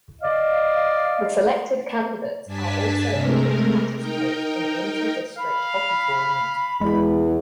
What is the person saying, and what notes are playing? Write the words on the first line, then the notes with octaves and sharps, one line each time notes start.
The selected candidates are also able to participate in Inter District Hockey tournament.
D5 D#5 F5
G2 D4 G#5 A5 B6
C3 G#3 A3 A#4
D#4 A#4 G5
F5 B5
E2 G#3